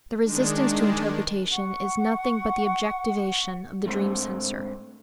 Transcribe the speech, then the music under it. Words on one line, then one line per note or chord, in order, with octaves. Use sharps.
The resistance to interpretation is nothing but the objectivation of the dream censor.
D#3 G#3 D4
F#5 C#6
G#2 A3 C4 D4